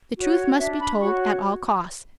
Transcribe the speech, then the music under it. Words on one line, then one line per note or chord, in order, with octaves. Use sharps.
The truth must be told at all costs.
F#4 C#5
D4 E5
B5
F#4 C#5 C#6